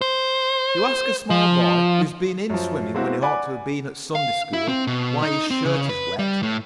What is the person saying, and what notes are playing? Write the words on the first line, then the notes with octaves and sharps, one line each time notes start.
You ask a small boy, who has been in swimming when he ought to have been at Sunday-school, why his shirt is wet.
C5
F3
F#2 F3
G#3 A#3 C4 E4 F#4
D5 F#5 G#5 B5 D6
F5
E4
C4
B2
D#4
C4
C#3
B4
G3
A2